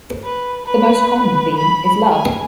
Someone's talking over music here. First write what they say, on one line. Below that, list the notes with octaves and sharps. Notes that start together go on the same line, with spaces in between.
The most common theme is love.
B4
B4
B5
G#5